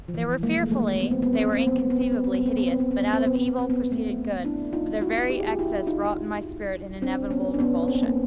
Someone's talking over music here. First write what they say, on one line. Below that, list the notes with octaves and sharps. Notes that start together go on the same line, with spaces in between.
They were fearfully--they were inconceivably hideous; but out of Evil proceeded Good; for their very excess wrought in my spirit an inevitable revulsion.
F3
E3
G#3 A#3
A3
G#3 A#3
B3
C4
B3
C4
B3
C4
B3
C4
B3
C4
B3
C4
B3
C4
B3
C4
B3
C4
B3
C4
B3
C4
B3
C4
B3
C4
A3 B3
D4 E4
D#4 F4
E4 F#4
G4
G#4
F4 G4
E4 F#4
D#4 F4
C4 D4
B3 C#4
D4
B3 C#4
C4
B3
A#3 C4